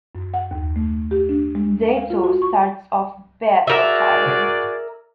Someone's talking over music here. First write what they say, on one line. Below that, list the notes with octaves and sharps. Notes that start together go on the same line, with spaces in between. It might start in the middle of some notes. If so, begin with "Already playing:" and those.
Day two starts off bad for Charlie.
F#2
F#5
D#2
A3
G4
D4
G#3
A#4
F5
F4
F#4
C#6
F#4 G#4 A#4 D5 E5